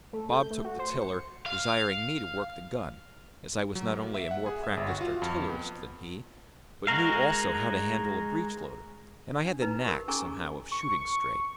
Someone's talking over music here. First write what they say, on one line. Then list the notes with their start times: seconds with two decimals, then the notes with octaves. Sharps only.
Bob took the tiller, desiring me to work the gun, as I was not only a more practised artillerist than he, but knew also how to handle a breech-loader, and I had the knack somehow of shooting straight.
0.13 A3
0.32 G6
0.50 A3
0.65 F#4
0.79 C5
0.90 C#7
1.46 F5
3.75 F#3
3.90 A#3
4.14 E5
4.31 F#5
4.46 G#4
4.63 E5
4.77 G1
4.88 F#4
5.01 F4
5.22 F2
5.50 B3
6.87 G#3 D#4 F#4 A#4 F5
9.45 D4
9.62 D#4 B4 A#5
9.84 G4 A#4
10.08 C#4 G#4 A#4 G#5 A#5 C#6
10.72 C#6